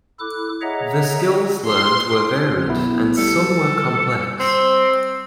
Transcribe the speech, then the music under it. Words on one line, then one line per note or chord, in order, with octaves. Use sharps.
The skills learned were varied, and some were complex.
E4 A4 D6 F#6
G#4 C#5 D#5 E5 F#5 A#5
C6
B1 B3 E4
G3 A4
C4